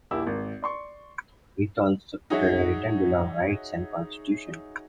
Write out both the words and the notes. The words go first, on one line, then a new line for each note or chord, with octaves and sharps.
It also supported a written Bill of Rights and Constitution.
D#1 A#1 E4 G4 E6
G#1
D5 C6 C#6
D#4 F#4 G#4 C#5 E5 F#5